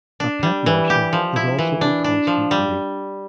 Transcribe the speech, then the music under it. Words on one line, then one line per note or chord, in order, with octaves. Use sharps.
A pet marshal is also on constant duty.
D4
G3
E3
G4
F3
E4
E3
D4
D4
F3
G3